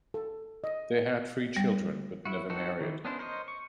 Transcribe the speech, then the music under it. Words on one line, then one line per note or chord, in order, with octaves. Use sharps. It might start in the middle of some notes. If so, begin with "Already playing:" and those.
They had three children, but never married.
A4
D#5
G3
E4 F#4
C4 D#4 F#4 A4
D#3 E3
B3 C#4 D4 E4 C5
A#4 C5 C#5 D#5
C#6